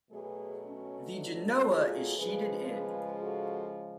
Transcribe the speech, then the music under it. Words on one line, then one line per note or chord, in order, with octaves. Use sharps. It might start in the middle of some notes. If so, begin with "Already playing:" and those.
The genoa is sheeted in.
B2 F#3 A3 G#4 B4
C#4
D4
F4 G#4
C#3 F3 G#3 G#4 B4
G#4 B4
F#4 A4